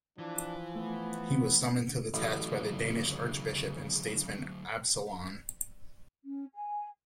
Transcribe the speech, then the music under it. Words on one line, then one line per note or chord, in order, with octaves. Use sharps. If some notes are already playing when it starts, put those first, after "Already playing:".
He was summoned to the task by the Danish archbishop and statesman Absalon.
E3 F3 D4
A3 B3
A1 D2 C#3 F#3
C#4
G#5